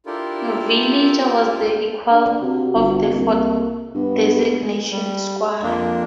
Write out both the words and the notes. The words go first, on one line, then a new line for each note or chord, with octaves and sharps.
Villager was the equal of the Ford designation "Squire".
D4 E4 F4 G4 A4 A#4
D4
C3 F#4
G1
C2 A#3
G2 B3
G3
F2 A#3 D4